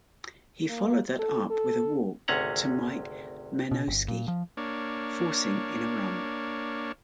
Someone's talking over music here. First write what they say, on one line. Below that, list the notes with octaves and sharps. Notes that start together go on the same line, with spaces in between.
He followed that up with a walk to Mike Menosky, forcing in a run.
A#3
A4
A4
G#1 D2 C3 C#4 F#5 A#5
B2
G1
A#2
F3
A#3 D4 C#5